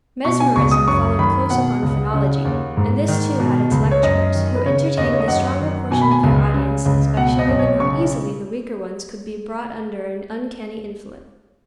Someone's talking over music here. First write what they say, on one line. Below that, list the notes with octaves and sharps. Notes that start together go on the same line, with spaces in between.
Mesmerism followed close upon phrenology; and this too had its lecturers, who entertained the stronger portion of their audiences by showing them how easily the weaker ones could be brought under an uncanny influence.
B2 C#6
G#5
C#2 C#6
D#6
F#2 C#6
D#3 B5
B2 F#5
C#2
C#3
D#2
G#2
D#3
B2
C#2
C#5
F#2 D#5
D#3
B4
C#3 C#5
D#2 D#5
C#5
D#5
F#2 F#5
D#3
B2 G#5
B5
G#5
C#2
C#3
C#2
B2 F#5
D#5
B1
C#5
C#3 C#6